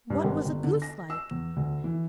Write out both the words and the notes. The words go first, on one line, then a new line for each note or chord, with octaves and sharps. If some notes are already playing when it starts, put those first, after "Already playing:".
'What was a goose like?'
G2
G#1
G1
D3
A#6
E6
E2
D2
E3